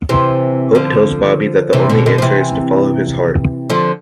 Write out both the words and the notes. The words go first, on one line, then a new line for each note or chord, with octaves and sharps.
Hope tells Bobby that the only answer is to follow his heart.
C3 E3
D3 F3
C3 E3
B2 D3
B2 D3
F3
C3 E3
D3 F3